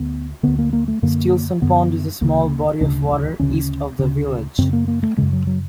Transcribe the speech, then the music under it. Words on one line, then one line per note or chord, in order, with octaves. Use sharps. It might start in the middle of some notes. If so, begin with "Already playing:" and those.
Stilson Pond is a small body of water east of the village.
Already playing: D2 D3 B3
D2 D3 B3
A#3
A#3
A3
F#2 D3 A#3
F#2 D3 B3
D2 C#3 A#3
D2 C#3 D4
D2 C#3 C#4
D2 C#3 C#4
F#2 C#3 C4
A#3
A#3
A3
F#2 C#3 G#3
F#3
F#3